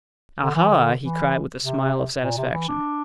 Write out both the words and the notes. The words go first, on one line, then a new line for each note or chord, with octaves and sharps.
"Aha!" he cried with a smile of satisfaction.
D3
E3
D3
E3
C3
A#2
C3
E3
D4